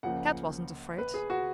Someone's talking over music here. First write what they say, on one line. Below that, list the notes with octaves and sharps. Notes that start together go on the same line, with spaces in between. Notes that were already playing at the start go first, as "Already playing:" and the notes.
Kat wasn't afraid.
C#2 C#3 F3 A#3 F#5
B4
G#4
F#4